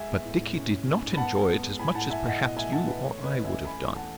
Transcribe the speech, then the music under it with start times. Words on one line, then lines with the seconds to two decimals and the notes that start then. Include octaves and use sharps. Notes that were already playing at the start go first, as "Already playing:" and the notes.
But Dickie did not enjoy it as much as perhaps you or I would have done.
Already playing: G#3 E5 G#5
0.09 B3
0.25 A2
0.41 A2
0.55 C#4
0.71 C#4
0.87 C#4
1.02 G#2
1.13 B5
1.17 B3 F#5 A5
1.33 B3
1.48 B3
1.64 G#3
1.79 A2 G#5 B5
1.95 A2 F#5 A5
2.10 A2 E5 G#5
2.26 A2 D#5 F#5
2.41 B2 D#5 F#5
2.57 A3 E5 G#5
2.72 B2 F#5 A5
2.87 B2 B4
3.03 A3 C#5
3.19 C#4
3.24 B4 D#5
3.34 E3
3.45 C#4 E5 G#5
3.65 A3 G#5 B5
3.80 E2
3.95 A3 F#5 A5